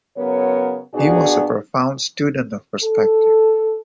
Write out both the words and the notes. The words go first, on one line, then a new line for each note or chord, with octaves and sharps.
He was a profound student of perspective.
C#3 F#3 B3 A#4 C#5
A#2 B3 D4 F#4 G#4 D5
A4